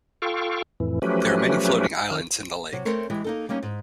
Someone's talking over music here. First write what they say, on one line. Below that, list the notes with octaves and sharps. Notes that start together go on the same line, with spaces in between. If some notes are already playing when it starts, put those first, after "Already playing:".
There are many floating islands in the lake.
F4 A4 F5 G5 C#6
F2 A2 E3
F3 F#3 A3 C#4 G4 B4
D#3 F6
C3 F#3
A3 C4 A4 A#4 C#5
E3 G#3 G4
A#3 D#4 A4
G3 A#3 C#4 D#4
G#2